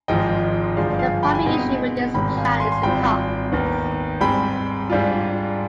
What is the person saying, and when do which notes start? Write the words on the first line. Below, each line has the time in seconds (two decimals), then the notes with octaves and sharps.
The primary issue with this plan is the cost.
0.08 G#1 G#2 F3 D#5 G5
0.77 G1 G2 F3 G#3 D5 F5
0.99 F5 G#5
1.23 G5 B5
1.35 G#5
1.46 B2 G#3 C4 D#4 G5 B5
2.14 G#1 G#2 D#3 G3 C4 G5 B5
2.37 F5 G#5
2.60 G#5 C6
2.72 C6
2.83 G#1 G#2 G3 C4 F4 G5 B5
3.52 D#2 D#3 B3
4.21 G#2 G3 C4 G5 B5
4.90 G#2 G3 D4 F4